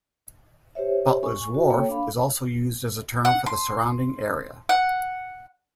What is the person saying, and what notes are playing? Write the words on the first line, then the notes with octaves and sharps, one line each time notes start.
Butler's Wharf is also used as a term for the surrounding area.
G4 C5 C#5 E5
G#5 C#6
F#4
A#3 A4 C#5 G5
D4 F5 B5
F#5
C6
F#5